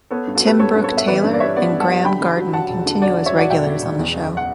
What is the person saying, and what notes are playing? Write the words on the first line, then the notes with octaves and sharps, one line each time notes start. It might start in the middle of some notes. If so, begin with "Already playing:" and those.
Tim Brooke-Taylor and Graeme Garden continue as regulars on the show.
B3 A4 C#5
G2
F#4 A4
B3 G4 B4
G2 A4 C#5
G2
A4 C#5
B3
E5
E3 B4 D5
G2
D5
G3 C#5 E5
B3 D5 F#5
G2
F#5 A5
G3
D3 G5 B5
D3
F#3
F#3 F#5 A5
E1
D3
F#3 D5 F#5
F#3
C#5 E5
F#3 D5 F#5
E1 E5 G5
D3
E1
E2
F#1
F#5